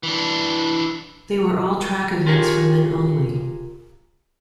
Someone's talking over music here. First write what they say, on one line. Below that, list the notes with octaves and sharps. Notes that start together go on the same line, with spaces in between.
They were all track events for men only.
E3 D4
F4 G4 G#4 A#4 C#5